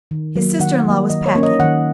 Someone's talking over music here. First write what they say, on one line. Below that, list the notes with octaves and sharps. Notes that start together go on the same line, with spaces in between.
His sister-in-law was packing.
D#3
F#3 A#3
D#3 F#5
F#3 A#3
D#3 D#5
C#5
A#3 C#4
D#5
D#3 F#5